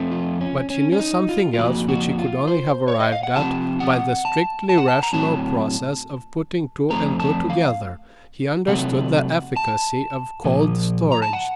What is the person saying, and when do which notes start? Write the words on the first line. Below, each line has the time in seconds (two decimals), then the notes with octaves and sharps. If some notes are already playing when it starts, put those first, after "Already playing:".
But he knew something else, which he could only have arrived at by the strictly rational process of putting two and two together--he understood the efficacy of cold storage.
Already playing: F2 A3 C4
0.12 F4
0.41 C#4
0.70 C#4
0.92 C#4
0.99 D#4
1.29 F4
1.54 F4
1.58 F2 D#3 A#3 F#4
1.88 F#4
2.18 F4
2.47 C5
2.88 C#5
3.00 D#5
3.12 F5
3.23 F#5
3.36 C3 F3 C4 A5
3.80 F#5
4.25 A5
4.69 A5
4.78 F#5
4.88 A5
5.03 A#5
5.13 A2 F#3 C4 A5
6.90 F2 C#3 A3 C4 A#5
7.19 A5
7.50 F5
8.68 C3 F#3 A3 C4 F#5
9.56 A5
10.44 A#2 F3 A#3
11.12 A#5
11.22 A5
11.33 F#5